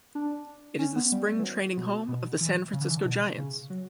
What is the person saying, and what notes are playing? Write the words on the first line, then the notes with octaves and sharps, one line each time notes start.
It is the spring training home of the San Francisco Giants.
D4
C#4
B3
G3
E3
F#3
B2
B2
E3
C#3
D3
E3
D3
B2
C#3
F#3